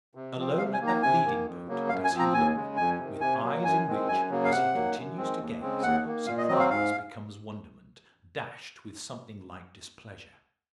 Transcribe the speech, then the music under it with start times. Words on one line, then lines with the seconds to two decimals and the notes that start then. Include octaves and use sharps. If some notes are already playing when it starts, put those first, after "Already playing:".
Alone at that leading boat does he look; with eyes in which, as he continues to gaze, surprise becomes wonderment, dashed with something like displeasure.
0.15 C3
0.37 F3 C4
0.58 C3 F5
0.73 G#5
0.80 D#3 A#3
0.87 A#5
1.03 C3 G#5
1.24 D#3 A#3
1.46 F2
1.68 C#3 F#3 A#3
1.89 F#2 F5
2.04 G#5
2.11 F3 C4
2.19 A#5
2.34 D#2 G#5
2.55 C#3 G#3
2.77 F2 G#5
2.99 C3 D#3
3.21 C3 G#5
3.43 F#3 A#3
3.64 F#2 G#5
3.86 D#3 G#3 C4
4.08 F#2 G#5
4.30 C#3 F#3 A#3
4.44 F5
4.52 C3 F#5
4.74 D#3 F#3 A#3
4.96 F#2
5.17 D#3 G#3 C4
5.39 D#2
5.61 C#3 G#3 C4
5.83 D#2 F#5
6.05 D#3 A#3
6.26 A#2 F5
6.38 D#5
6.48 F#3 C4 D#5
6.60 F5
6.70 G#2 F5